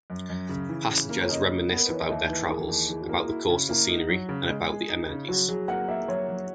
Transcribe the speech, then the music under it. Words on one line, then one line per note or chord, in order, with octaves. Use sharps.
Passengers reminisce about their travels, about the coastal scenery, and about the amenities.
F#2
F#2
C#3
E3
C#3
A#3
C#5
C#3 D#5
C#3
B3
A#4
B4
E3 C#5
D#5
D#2 E5
E3 B4
G#4
E3 A#4
D#2
E3 G#4
F#4
A#3
E4
E4 F#4
C#3
A#3 E4
D#4
F#3
C#3
G#3
G#4
D#4
C#3
F#3 F#4
F#3 G#4
A#3 F#5
A#3 E5
F#3 C#5
F#3